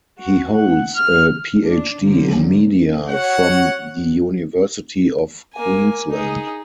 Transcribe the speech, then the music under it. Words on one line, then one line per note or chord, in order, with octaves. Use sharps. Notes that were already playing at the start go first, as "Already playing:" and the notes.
He holds a PhD in Media from The University of Queensland.
F#4
F#5
F6
D4
D3 F3 F#3 A#3
F#4 C#5 F#5
A#3 G#5
D#4 G#4